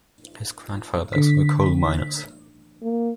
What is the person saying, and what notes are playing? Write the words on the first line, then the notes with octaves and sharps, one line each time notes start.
His grandfathers were coal miners.
D3 B6
A#3